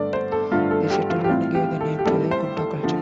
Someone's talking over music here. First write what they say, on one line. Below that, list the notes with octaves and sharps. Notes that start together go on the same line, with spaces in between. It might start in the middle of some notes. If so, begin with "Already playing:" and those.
This settlement gave the name to the Kunda culture.
Already playing: G2 D3 A3 D5
C5
A4
G2 D3 A3 F4
A4
G4
F4
G4
A2 G3 C4 F4
G4
A4
G4
A2 G3 C4 A4
C5
A4
D3 F3 A3